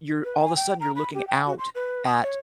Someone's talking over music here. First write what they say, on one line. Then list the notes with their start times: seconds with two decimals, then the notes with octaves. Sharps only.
you're all the sudden, you're looking out at
0.24 B4
0.40 G#5
0.56 G5
0.80 A#5
0.96 B5
1.14 G4
1.27 G5
1.46 F#4
1.58 C6
1.75 B4
2.06 D#6
2.22 C#5